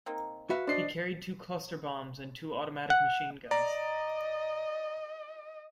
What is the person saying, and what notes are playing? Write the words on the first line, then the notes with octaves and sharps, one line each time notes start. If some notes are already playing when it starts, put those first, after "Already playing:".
He carried two cluster bombs and two automatic machine guns.
A#3 C4 D#4
F#4 B4 E5 F5
D4 C5 D#5 C7
F#5
D5 D#5 A#5